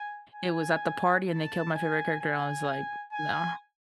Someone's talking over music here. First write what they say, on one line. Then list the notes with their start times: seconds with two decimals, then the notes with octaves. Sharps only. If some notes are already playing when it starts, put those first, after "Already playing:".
it was at the party and they killed my favorite character, and I was like, "Nah."
Already playing: G#5
0.35 G#5
1.28 A5
1.74 G#5
2.20 G#5
3.12 G#5